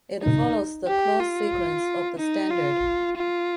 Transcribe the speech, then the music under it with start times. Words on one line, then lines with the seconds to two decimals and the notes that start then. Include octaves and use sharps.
It follows the clause sequence of the Standard.
0.22 D#4
0.87 G4
1.20 F4
2.18 D#4
2.51 F4
3.17 F4